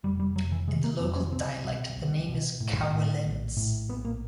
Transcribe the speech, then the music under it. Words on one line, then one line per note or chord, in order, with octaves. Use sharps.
In the local dialect the name is Kowelenz.
F1 G3
G3
F1 F#3
E3
C3 G#3
A#3
F1 C4
C#4
C2 C4
B2
C2
B2
A2
A2
A#1
A2
A#1 B3
A#3